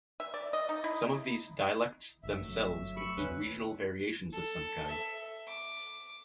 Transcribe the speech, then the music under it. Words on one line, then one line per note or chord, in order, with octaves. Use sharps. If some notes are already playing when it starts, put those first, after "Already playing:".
Some of these dialects themselves include regional variations of some kind.
E5
D5
D#5
D#4
E4
F#1 B1 F#2 E5
G1 F#3 A3
B5 C#6 E6
D#2 D3 C#4 B4
A4
E5
D6